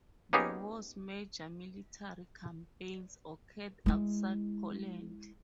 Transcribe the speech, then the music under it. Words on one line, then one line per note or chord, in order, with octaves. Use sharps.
The war's major military campaigns occurred outside Poland.
A#3 B3 C#4 D#4 G4 G#4
G#3 E4